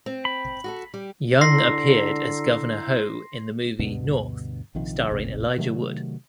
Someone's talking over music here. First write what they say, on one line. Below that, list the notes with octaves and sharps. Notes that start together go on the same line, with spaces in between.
Young appeared as Governor Ho in the movie "North" starring Elijah Wood.
C4
B5
F#4 G#4 A4
G3 G4
D3 E4 A#5 C6 E6 A#6 C7
D2 G2 B2 D3
A#1 C3 D#3 F3
D#1 G#1 A2 C3
C3 D#3 F#3 A3